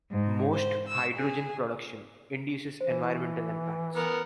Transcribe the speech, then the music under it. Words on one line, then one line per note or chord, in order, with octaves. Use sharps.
Most hydrogen production induces environmental impacts.
G#2
C5
E6
G#4
E3 C5
E4
B3 A#4